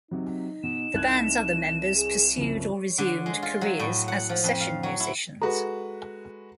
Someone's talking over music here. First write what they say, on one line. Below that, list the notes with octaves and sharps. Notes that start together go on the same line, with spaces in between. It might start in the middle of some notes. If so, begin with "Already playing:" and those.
The band's other members pursued or resumed careers as session musicians.
C3 F#3 D#4
B2 E7
C2 F#6 G#6
G#4
F#1 C2 F3
D3
G#3
F4
F#3
A2
F#5
F3
F2
F5
F#3
E4
G#3 F#4 A4 B4 A#5